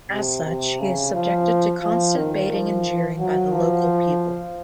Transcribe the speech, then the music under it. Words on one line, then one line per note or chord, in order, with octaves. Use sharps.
As such, he is subjected to constant baiting and jeering by the local people.
C3
C3
C#3
F3
F3
D#3
F3
F#3
F3